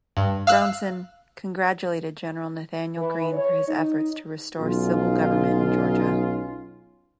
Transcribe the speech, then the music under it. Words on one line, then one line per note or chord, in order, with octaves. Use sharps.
Brownson congratulated General Nathanael Greene for his efforts to restore civil government in Georgia.
G2
F5 E6 F#6
E3
C#5
D#4
B1 C#4 D#4 F4